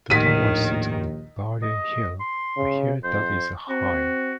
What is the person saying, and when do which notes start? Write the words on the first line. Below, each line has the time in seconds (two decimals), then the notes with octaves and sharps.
The tower sits on Baden Hill, a hill that is a high.
0.10 A#1 D#2 A2 D#3 B6 D#7
1.63 D#5
2.20 C6
2.57 C#3
3.04 F2 C5
3.69 C4 F#4